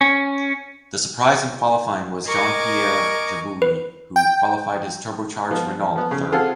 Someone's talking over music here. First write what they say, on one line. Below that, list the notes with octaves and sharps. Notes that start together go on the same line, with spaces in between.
The surprise in qualifying was Jean-Pierre Jabouille who qualified his turbocharged Renault third.
C#4
A#4 D#5 G#5 C#6 D6
B4
G5
F3 B3 F4
F3
F3 B3
C#3
C4 F4 G#4 A4 F#5 A5